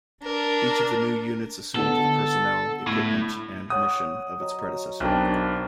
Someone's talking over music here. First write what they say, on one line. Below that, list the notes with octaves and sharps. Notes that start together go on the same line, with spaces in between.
Each of the new units assumed the personnel, equipment, and mission of its predecessor.
D4 A#4
D3 B3 A4
A2
C#5 F#5 D#6
F#3 D#5 A#5
B1 C4 D4 A#4